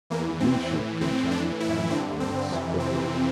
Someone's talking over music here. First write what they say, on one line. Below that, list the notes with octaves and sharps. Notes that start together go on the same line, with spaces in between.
The Deanship can change hands unexpectedly.
E2 E3 A#3
C4
A2 E3
C4
A2 E3 D4
E4
G2 D3 C4
C4
F2 C3 E3
C4